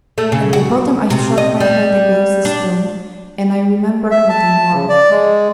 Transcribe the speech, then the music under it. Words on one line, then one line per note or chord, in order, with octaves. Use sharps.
At the bottom I struck my head against a stone, and I remembered nothing more.
A3
C#3
F#4
C3
D#5
G3
D4
E5
A5
C#3
D5
G#3